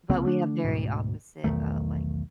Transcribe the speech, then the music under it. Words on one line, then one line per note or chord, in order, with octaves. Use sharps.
but we have very opposite, uh, like,
C2 C#3 A#3 C4
D3 A3 D4
D2 G#2 B2
B1 E2 D#3 A3